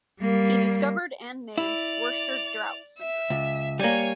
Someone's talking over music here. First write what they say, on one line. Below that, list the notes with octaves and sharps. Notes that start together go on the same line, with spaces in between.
He discovered and named Worster-Drought syndrome.
G3 A#3
E4 D5 F7
E5
C#2
G3 A#3 C#5 G#5